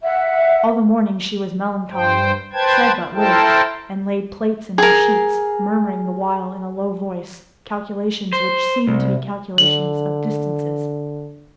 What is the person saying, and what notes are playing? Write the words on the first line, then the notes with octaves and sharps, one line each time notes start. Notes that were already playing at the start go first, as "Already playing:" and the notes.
All the morning she was melancholy, said but little, and laid plaits in her sheets, murmuring the while, in a low voice, calculations which seemed to be calculations of distances.
E5 F#5
G2 C5 G5
B4 C5 G5 A5 G#6
E4 A4 A#4 C5 G5 A5
G#4 A#4
C5
C2
D3 F#7